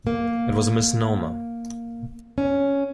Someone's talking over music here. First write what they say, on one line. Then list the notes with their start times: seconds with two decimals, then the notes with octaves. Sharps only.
It was a misnomer.
0.07 A#3
2.38 C#4